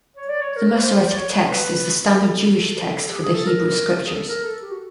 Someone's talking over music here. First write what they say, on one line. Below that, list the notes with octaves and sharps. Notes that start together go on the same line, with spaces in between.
The Masoretic Text is the standard Jewish text for the Hebrew Scriptures.
C#5
D5
C#5
A#4
B4
C5
C5
D5
C#5
B4
A4
G4
G#4
A4
A#4
G#4
A4
A#4
A4
G4
F#4